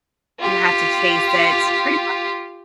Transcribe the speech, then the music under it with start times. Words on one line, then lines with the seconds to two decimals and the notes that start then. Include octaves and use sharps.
you have to chase it pretty much
0.40 F4 G4